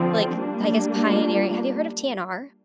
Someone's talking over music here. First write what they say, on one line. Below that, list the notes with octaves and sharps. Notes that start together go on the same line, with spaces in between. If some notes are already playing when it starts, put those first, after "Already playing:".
like, I guess, pioneering Have you heard of TNR?
Already playing: D3 F3 C4
G3 A#3 D4
F4